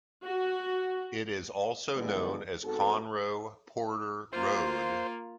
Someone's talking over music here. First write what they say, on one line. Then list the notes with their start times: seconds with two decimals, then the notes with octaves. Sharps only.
It is also known as Conroe Porter Road.
0.25 F#4
1.94 D3 E3 F3 G3 G#3 B3
2.63 G#2 B3 C4 F#4 A4
4.33 A#3 F4 C5